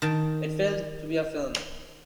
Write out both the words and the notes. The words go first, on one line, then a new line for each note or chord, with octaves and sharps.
It failed to be a film.
D#3 A5